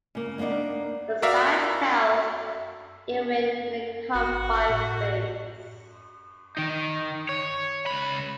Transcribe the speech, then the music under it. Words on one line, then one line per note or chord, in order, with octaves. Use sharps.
But science tells, even in a confined space.
C#3 A#3
G3 A#3 B3 D4 D#4
F#4 A#4 D5 E5 F5
G#1 F#4
A2
D#3 D#4
C#5
C#2 B5